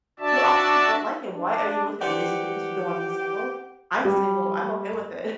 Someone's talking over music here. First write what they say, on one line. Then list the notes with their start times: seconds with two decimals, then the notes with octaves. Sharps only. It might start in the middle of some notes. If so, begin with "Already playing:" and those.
"you, obviously, don't like him. Why are you with him? Is it because you don't wanna be single? I'm single, I'm okay with it.“
0.20 D4 F#4 D5 E5 A5
1.32 D4
2.01 E3 C4 D4 G4 F#5
4.05 G3